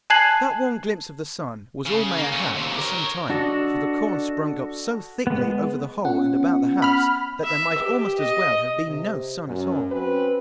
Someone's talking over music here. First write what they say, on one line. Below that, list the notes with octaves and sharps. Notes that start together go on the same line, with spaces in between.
That one glimpse of the sun was all Maia had for some time, for the corn sprung up so thickly over the hole and about the house, that there might almost as well have been no sun at all.
G#5 A5 F#6 G#6 C7 F#7
C#3
A#3
A3 C#4
D#2 C3
A#4 C#5
D4 F#4 A4 D5 D#5
G#3 B3
B3 C#4 F4 F#5
B5 F6
E5
G4
D#5
C3
F#2
C4 C#4 F#4 B4